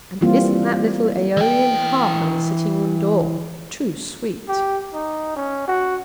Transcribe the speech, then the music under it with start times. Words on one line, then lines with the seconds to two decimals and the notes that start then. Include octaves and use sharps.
"And isn't that little Aeolian harp on the sitting room door too sweet!"
0.21 E3 G3 A#3 C4 F4
1.37 E3 G5
4.48 G4
4.93 D#4
5.36 C#4
5.68 F#4